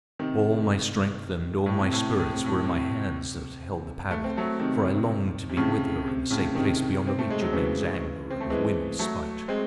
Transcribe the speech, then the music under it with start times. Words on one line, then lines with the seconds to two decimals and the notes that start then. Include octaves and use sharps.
All my strength and all my spirit were in my hands that held the paddle--for I longed to be with her in a safe place beyond the reach of men's anger and of women's spite.
0.19 C3 D#3
1.66 A2
1.79 C3
1.93 A2
2.06 C3
2.19 A2
2.33 C3
2.46 A2
2.64 C3
4.11 A3
4.24 C4
4.37 F#3 A3
4.59 C3 D#3
5.49 C3
5.57 A2 C#3
6.06 C3
6.30 A2 C#3
6.55 C3 D#3
7.07 C4
7.19 A3
7.31 G#3
7.41 F#3
7.53 C#3 E3
8.30 C4
8.40 A3
8.50 E3 G#3
8.99 F#3 A3
9.48 G#3 C4